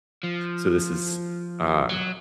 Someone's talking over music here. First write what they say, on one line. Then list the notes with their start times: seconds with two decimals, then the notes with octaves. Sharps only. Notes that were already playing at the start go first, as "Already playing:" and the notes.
So, this is, um,
0.23 F3
1.89 F#3